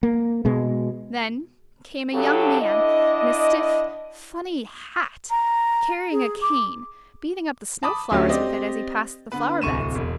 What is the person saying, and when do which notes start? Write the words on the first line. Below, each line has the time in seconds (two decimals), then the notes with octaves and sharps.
Then came a young man in a stiff, funny hat, carrying a cane, beating up the snow flowers with it as he passed the flower beds.
0.03 A#3
0.45 B2 G#3
2.13 C#3 F#3 D4 G4 A4
2.61 D3 D4 E4 D#5
5.30 A#5
6.12 G#4
6.42 D6
7.83 A5 B5 D6 D#6
8.11 D2 F#3 A3 C#4 G4
8.29 C4 G4 D5 D#5
9.32 D3 B3 B4
9.61 D1 C2 C#6 D#7 E7
9.95 E1